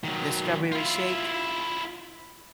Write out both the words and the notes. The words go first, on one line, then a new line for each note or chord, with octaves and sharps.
the strawberry shake
D#3 F#3
E4 F4